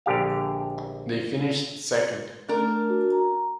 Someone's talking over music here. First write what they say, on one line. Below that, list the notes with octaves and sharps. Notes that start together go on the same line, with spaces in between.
They finished second.
A#1 D3 G4 F5
A3 D4 A#4
F#4
A#5